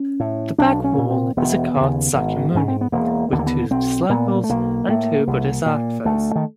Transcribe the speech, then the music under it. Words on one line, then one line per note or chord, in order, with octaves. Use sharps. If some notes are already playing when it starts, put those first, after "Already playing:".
The back wall is a carved Sakyamuni, with two discliples and two bodhisattvas.
Already playing: C#4
A2
B1 D4
C#4
A#2
C4
E1 B3
D#2 C#3
G#1
G#2 C#4
C4
B3
E1 A#3
D#2 D3 B3
A#3
B3
B1 C4
A#2 B3
A3
B1 A#3
A2
C2
A#2
D2 A3
D#3